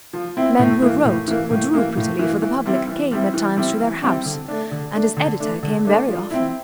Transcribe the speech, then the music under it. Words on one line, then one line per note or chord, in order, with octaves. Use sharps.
Men who wrote or drew prettily for the public came at times to their house, and his editor came very often.
F3
C4 E4
A2
E3 A#3
A2
E3 A#3
A2
E3 A#3
A2
E3 A#3
E3
G3 C4 E4
E3
G3 C4 E4
E3
G3 C4 E4
E3
G3 C4 E4
D3
A3 D4
D3
A3 D4
D3
A3 D4
D3
A3 D4
F3
C4 E4